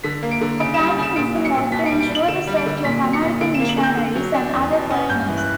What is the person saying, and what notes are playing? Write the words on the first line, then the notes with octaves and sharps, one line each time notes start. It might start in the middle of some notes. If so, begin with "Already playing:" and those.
Her primary mission was to ensure the safety of American missionaries and other foreigners.
D3 B6
A#3
D7
D3
C#3 D7
E7
G3
C#3
E7
A#2 D7
F#3
C#7
A#2
B2 B6
D7
G3
D7
D4
F#7
D3 E7
G3
D7
D3
A#2 B6
F#3
C#7
A#2
D3 D7
E7
A#3
F#7
D3
G6
D3
F#3
D4
E2
B2
C#4
G2 G6
E3
F#6